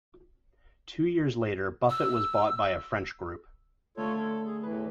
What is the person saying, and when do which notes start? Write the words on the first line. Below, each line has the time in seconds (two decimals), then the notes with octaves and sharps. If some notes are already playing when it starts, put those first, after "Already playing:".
Two years later Buffet was bought by a French group.
1.90 E6
3.97 D3 A3 F4 A4 C#5
4.15 A4
4.45 G#4
4.63 E2 A2 E3 B4